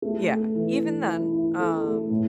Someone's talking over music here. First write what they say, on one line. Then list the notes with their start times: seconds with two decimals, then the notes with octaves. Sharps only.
yeah, even then, um
0.02 A3
0.29 A4
0.55 E3
0.81 E3
1.07 E4
1.32 E4
1.59 A4
1.84 A3
2.10 A2